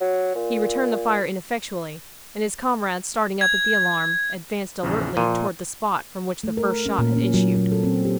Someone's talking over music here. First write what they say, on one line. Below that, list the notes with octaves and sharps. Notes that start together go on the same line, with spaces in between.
He returned the fire ineffectually, and his comrades, starting up at the alarm, advanced alertly towards the spot from which the first shot had issued.
F#3
A#2
G#6
A#1 E2 C#3
A#2 F3 C6 D#7
A3
A#4
C#4
A#2
C#4
F#3
F#3
A4
C4
G4